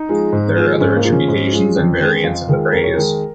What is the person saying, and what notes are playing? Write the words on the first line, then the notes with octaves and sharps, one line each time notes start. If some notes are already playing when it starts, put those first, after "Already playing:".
There are other attributions, and variants of the phrase.
Already playing: D#4
F3 G#3
G#2
F3 G#3
G#2 C#4
A#3
F3 G#3
C#4
G#2
F3 G#3
F2
D#3 G#3
F2 F4
D#3 G#3
F2 A#4
C#5
D#3 G#3 A#4